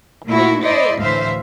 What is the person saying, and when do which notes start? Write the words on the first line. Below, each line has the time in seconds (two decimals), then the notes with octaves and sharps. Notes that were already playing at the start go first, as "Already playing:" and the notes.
Doing great.
0.26 A#2 A3 E4 F#4
0.62 E4 C5 D5 D#5
0.98 D2 A2 E3 C5 E5 F5